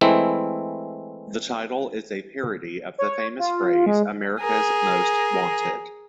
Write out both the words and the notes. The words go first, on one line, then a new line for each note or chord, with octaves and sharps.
The title is a parody of the famous phrase "America's Most Wanted".
E3 G#3 A3 C4 E4
C#5
F4
G#3
G#4 A#4